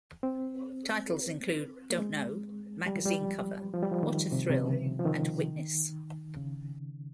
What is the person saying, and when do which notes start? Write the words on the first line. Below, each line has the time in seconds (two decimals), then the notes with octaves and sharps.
Titles include "Don't Know," "Magazine Cover," "What a Thrill" and "Witness".
0.23 C4
1.90 A#3
1.99 G#3
2.86 G3
2.96 F3
3.06 G3
3.74 F3
3.83 G3
3.91 F3
4.03 D#3
4.32 C3
4.50 C3
4.61 C#3
5.00 F3
5.05 D#3
6.37 C#3